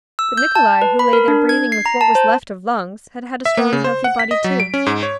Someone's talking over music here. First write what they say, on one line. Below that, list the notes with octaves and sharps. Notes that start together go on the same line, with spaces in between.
But Nikolay, who lay there breathing with what was left of lungs, had had a strong, healthy body too.
E6
G6
A5
B4
B5
A#4
D4
G#6
C7
A#5
A5
C5
E5
A#3
C#3
C5
F#5
B6
D#5
F#3
D7
C#4
G#2
C#5